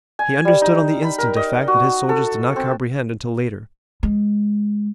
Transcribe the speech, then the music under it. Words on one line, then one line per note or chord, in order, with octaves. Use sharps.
He understood on the instant a fact that his soldiers did not comprehend until later.
G#5
G3
D#4
B5
A#4
D#5
F#4
A4
C4
G#3